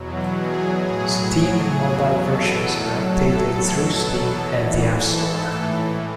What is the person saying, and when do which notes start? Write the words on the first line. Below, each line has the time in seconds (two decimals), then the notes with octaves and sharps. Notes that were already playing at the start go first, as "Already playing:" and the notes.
Steam and mobile versions are updated through Steam and the App Store.
Already playing: E2 B2 F#3
0.36 G#4
0.82 A2 F#3 G#4
1.29 G#4
1.75 E2 B2 F#3
2.22 A4
2.67 A2 F#3
3.14 A4
3.59 E2 B2 F#3
4.52 G#2 E3
4.98 A4
5.43 A2 E3